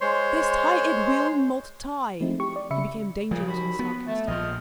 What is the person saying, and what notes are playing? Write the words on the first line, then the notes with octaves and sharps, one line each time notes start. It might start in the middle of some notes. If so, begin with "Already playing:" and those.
"This tie, it will not tie." He became dangerously sarcastic.
G#3 C5 C#5 C6
F3 G#3 A3 C4 D#4 E4
G4 C#6
D5
C#3 E5 B5 C#7
A#2 C#3 F3
D#2 F#4 B5
B3
A3
A#1 F3 D#5 F6